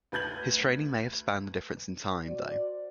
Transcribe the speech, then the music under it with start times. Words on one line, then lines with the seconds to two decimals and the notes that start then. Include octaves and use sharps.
His training may have spanned the difference in time, though.
0.12 D2 B4 G6 G#6 F#7
2.26 F#4 C5 D5